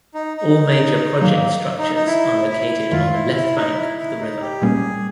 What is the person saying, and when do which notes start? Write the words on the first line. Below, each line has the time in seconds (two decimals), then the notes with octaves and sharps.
All major project structures are located on the left bank of the river.
0.14 D#4
0.37 D#4
1.21 G#2 D#3 F#3 A#3
1.79 D#4
1.95 D#4
2.06 E4
2.49 E4
2.91 F#2 D#3 G#3 F4
3.13 E4
3.33 E4
3.56 D#4
3.76 E4
3.98 E4
4.19 D#4
4.41 G4
4.62 A#2 G3 A#3 C#4 G#4